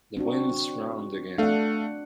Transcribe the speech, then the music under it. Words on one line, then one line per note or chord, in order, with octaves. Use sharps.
The wind's round again.
C4 D4 F#4
A3 D4 F5 F#5